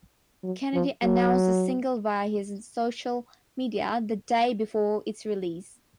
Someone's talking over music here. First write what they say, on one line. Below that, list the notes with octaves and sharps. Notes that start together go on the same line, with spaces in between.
Kennedy announced the single via his social media the day before its release.
F#3
F3
F#3